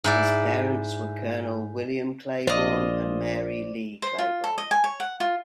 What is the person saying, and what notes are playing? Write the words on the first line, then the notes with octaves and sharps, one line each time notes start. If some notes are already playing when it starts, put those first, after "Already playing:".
His parents were Colonel William Claiborne and Mary Leigh Claiborne.
G#2 E4 D5
A#1 F4 C5 D5 D#5
C5
F4
A4
D#5
G#5
C#5
F#5
F4